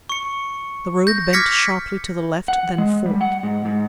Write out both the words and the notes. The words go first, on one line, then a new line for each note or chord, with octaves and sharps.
The road bent sharply to the left then forked.
C#6 C#7
G6 A#6
D6 F6 G#6 A#6 B6 C#7
F#5
G#3
G3
F#5
G#2
G#2